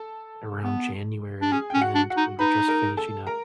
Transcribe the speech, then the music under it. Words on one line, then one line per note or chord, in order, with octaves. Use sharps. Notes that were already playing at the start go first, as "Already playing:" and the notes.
around January, and we were just finishing up,
Already playing: A4 A5
B3
D4
C#4 G#4 G#5
C#4 G5
F#4 F#5
D4
F#4 F#5
D#4
D#4 B4 B5
A#4 A#5
A4 A5
A#4 A#5